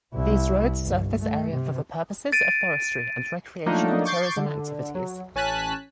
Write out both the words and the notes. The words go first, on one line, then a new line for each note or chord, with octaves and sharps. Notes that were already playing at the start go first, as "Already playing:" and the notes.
These roads serve this area for the purposes of forestry and recreational tourism activities.
C2 E4
G1
A3
C3
A6 D7 D#7
F3 F#3 A3 A#3 D4 D#4
C#6 D6 G6 A6 C7
D3
F#3
A1 C#4 G#5 A5 F#6 B6